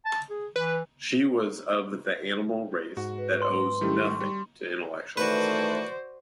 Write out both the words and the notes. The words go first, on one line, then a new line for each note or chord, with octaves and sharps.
She was of the animal race that owes nothing to intellectualism.
A5
G#4
E3 B4
G#2 F#4
B4
C6
D#3 G3 A3 E4 G4
C#6
G3
D#3 E3 A3 F#4 B4 C5 D5